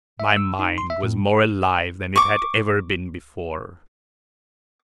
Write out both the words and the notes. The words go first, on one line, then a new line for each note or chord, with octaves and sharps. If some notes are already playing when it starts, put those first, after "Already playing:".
My mind was more alive than it had ever been before.
E5
E6
D#4
C6
E5
A2
C#6 D6